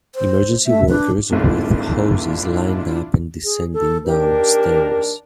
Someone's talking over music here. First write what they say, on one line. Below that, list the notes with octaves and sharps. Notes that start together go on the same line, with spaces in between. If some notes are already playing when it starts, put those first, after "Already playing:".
Emergency workers with hoses lined up and descending down stairs.
C5
A3 E5
D4 B4
D#1 G#1 D4 E4 F4
G#4
A4
D#2 D4 G4 A#4